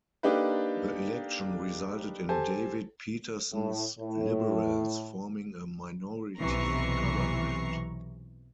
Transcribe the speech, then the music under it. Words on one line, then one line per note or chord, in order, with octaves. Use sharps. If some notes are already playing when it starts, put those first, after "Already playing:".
The election resulted in David Peterson's Liberals forming a minority government.
A#3 D4 D#4 G4 A4 B4
G4 A4 C5 G#5 A5
A2
A2
B1 C3 E3 A#5 C#6 C7